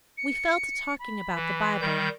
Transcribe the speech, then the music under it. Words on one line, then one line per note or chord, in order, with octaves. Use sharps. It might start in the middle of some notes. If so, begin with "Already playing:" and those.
We fell to talking about the Bible.
C#7
B5
E3
D#3 G3 G6